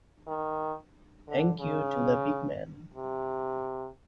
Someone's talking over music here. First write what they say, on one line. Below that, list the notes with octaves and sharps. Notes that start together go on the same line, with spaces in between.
Thank you to the big man.
D#3
D3
C#3
C3